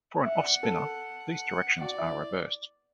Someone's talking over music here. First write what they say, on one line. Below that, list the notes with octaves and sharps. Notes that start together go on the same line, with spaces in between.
For an offspiner, these directions are reversed.
E5 F#5
D5
A4
F#5
F#4 D5
E4